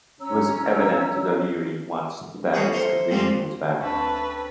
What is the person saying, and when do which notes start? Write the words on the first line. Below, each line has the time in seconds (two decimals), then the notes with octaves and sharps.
It was evident to the leery ones that his condition was bad.
0.20 C#4 C#5 A#5 E6
2.54 G3 A#3 C#4 F#4 G#4 B4
2.72 E4 A4 A#4 C5
3.10 F2 A#2 G3 G#3 A#3 C4
3.81 D2 A3 C4 C#4 B4 A5